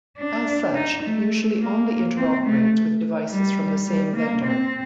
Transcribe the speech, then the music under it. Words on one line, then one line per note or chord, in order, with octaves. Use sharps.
As such it usually only interoperates with devices from the same vendor.
D4
D#4
A3
A#3
C4
A3
G3
G3
A#3
C4